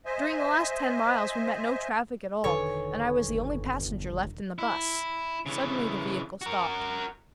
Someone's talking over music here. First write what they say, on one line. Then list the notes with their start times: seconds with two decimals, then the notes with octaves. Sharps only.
During the last ten miles we met no traffic at all, and I was the only passenger left in the bus. Suddenly the vehicle stopped.
0.05 C5 D#5 E5 G#5
2.44 E1 D3 D#3 A4 B4 C#5 G#5
3.29 G1
4.58 E4
5.46 C#3 E3
6.41 F#4 A#4